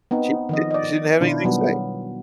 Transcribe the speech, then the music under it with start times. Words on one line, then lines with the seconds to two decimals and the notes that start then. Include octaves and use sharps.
She d she didn't have anything to say.
0.11 B3 C4 D#4
0.49 D#3 F3 D#5
0.71 D5 D#5
1.20 B2 D#3 D4 E4 F4
1.44 B2 F#3 G3 B3